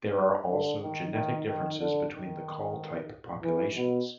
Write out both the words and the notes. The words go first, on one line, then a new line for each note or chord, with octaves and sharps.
There are also genetic differences between the call type populations.
D3
D#3
D#3
D#3
D3
D#3
E3
B2